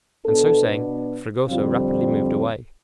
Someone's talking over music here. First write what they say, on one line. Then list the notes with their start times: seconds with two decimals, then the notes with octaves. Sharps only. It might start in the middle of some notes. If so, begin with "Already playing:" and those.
And so saying Fragoso rapidly moved away.
0.25 B2 B3 D4 A4
1.47 F2 D3 G3 C4 F4